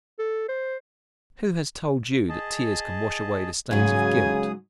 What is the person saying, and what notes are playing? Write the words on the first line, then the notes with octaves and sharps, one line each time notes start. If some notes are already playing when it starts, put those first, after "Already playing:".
Who has told you that tears can wash away the stains of guilt?
A4
C5
G#4 D#5 A5
G#2 C#3 F#3 G#4 G#5 D#6